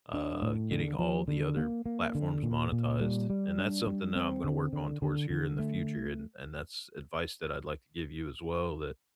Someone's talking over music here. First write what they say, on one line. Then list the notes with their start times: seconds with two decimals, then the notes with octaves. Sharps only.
uh, getting all the other platforms monetized. And that's something that I'm gonna work on towards here in the future and, and that's advice that I'd, like, to give you as well that
0.14 D4
0.42 A2
0.71 D3
0.99 F3
1.28 D3
1.57 A#3
1.86 A#3
2.15 D3
2.43 A#2
2.72 A#2
3.01 G3
3.30 G3
3.58 D4
3.87 G3
4.15 C4
4.44 D3
4.73 D3
5.02 D3
5.30 D3
5.59 A3